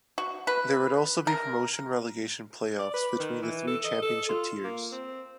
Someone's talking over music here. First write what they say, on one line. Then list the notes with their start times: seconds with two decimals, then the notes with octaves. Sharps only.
There would also be promotion-relegation play-offs between the three championship tiers.
0.18 F#4
0.47 B4
1.27 A#4
2.79 D5
2.94 B4
3.19 D#3
3.42 E3
3.67 A4
3.84 D#5
4.02 A4
4.29 F4
4.64 A#3
4.92 C4